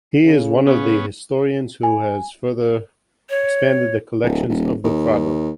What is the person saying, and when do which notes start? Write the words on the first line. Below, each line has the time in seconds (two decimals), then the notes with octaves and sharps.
He is one of the historians who has further expanded the collections of the Prado.
0.24 C#3
0.67 B3 C#4
1.83 G#5
3.30 C#5
4.24 D1
4.49 D#1
4.84 D#2